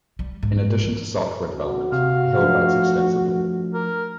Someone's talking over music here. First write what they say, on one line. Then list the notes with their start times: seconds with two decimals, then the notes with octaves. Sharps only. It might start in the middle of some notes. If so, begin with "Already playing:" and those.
In addition to software development, Hill writes extensively.
0.19 G3
0.43 G#2
0.84 E3
1.51 F#4
1.92 C3 F5
2.38 F3 A3 D4
3.74 A#4